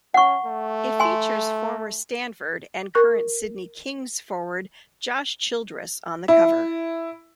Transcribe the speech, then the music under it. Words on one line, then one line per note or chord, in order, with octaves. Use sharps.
It features former Stanford and current Sydney Kings forward Josh Childress on the cover.
C#4 F#5 C#6
A3
G#5 C6
A#4 C#6 F#6
E4